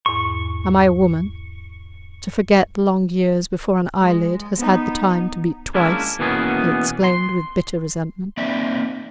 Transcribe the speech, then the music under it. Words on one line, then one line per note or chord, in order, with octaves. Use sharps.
"Am I a woman, to forget long years before an eyelid has had the time to beat twice?" he exclaimed, with bitter resentment.
E2 G#2 C#6
G#3
B3 D#4
G#3 A#3 C#4 D4 E4
B2 E3 A#3 B3 C#4 G#4
C6
A#3 C4 D5 E5